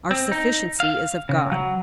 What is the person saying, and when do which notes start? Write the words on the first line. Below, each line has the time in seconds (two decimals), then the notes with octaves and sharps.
"Our sufficiency is of God!"
0.11 C4
0.32 D#4
0.80 F5
1.29 C#3
1.52 F#3